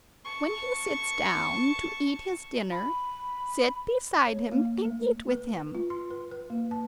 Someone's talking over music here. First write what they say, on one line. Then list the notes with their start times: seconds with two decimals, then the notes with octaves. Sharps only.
When he sits down to eat his dinner sit beside him and eat with him.
0.25 A5 C#6
2.72 B5
4.27 C#5
4.52 A#3
4.85 A3
5.31 B4
5.75 F4
5.90 C6
6.11 B4
6.31 B4
6.50 A#3
6.71 A5